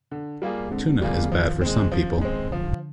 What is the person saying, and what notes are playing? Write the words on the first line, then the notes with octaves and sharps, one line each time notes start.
Tuna is bad for some people.
D3
G3 A#3 F4 G#4
D3 G#3 C4
D3 F3 G3 A#3 F4 G#4
D#3 F3
G#3 C4
F3
G#3 C4
D3 F3